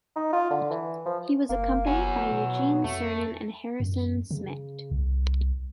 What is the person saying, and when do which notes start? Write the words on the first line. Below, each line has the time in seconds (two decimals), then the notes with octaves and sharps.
He was accompanied by Eugene Cernan and Harrison Schmitt.
0.16 D#4
0.33 F4
0.50 D3
0.71 E3
1.06 F3
1.49 F#1 A#3
1.87 F#3 B3 G#5
2.32 B2
2.84 F2 A3
3.80 F#2
4.31 C#3
4.91 C2